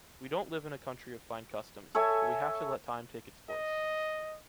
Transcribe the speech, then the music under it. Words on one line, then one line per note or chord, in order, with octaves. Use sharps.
We don’t live in a country of fine customs, but we have to let time take its course.
A4 C#5 E5 G#5
D#5